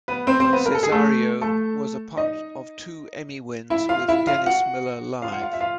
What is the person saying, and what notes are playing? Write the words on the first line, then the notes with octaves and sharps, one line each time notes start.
Cesario was a part of two Emmy wins with "Dennis Miller Live".
B3 B4
C4 C5
C4 C5
B3 B4
A#4
A4
G#4
A3 A4
A3 A4
D#4 D#5
E4 E5
F4 F5
E4 E5
F4 F5
F#4 F#5
F4 F5
F#5
F4 F5
E5
F4 F5